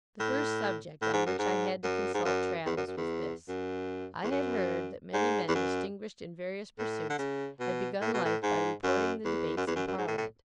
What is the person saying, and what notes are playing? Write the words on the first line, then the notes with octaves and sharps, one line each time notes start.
The first subject on which I had to consult Traddles was this,--I had heard that many men distinguished in various pursuits had begun life by reporting the debates in Parliament.
A2
A2
G#2
F#2
G#2
F#2
G#2
F#2
E2
F#2
F#2
E2
F#2
E2
F#2
G#2
E2
F#2
A2
D3
C#3
B2
A2
B2
A2
G#2
F#2
E2
F#2
E2
F#2
F#2
G#2
A2
A2